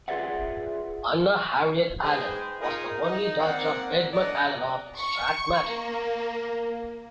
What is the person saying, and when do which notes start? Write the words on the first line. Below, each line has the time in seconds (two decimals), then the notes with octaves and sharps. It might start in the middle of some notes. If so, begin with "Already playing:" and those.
Anna Harriet Allen was the only daughter of Edmund Allen of Strathmartin.
0.08 F4 G#4 B4 D5 E5 F#5
2.04 G#3 D#4 G#4 B4 C5 G5
2.61 D#4 F4 G#4 A#4
3.03 D#4
3.39 A#3 C4 D5 F#5
4.13 A2 D4 D5 D#5 F#5 A#5
4.99 C#6
5.67 A#3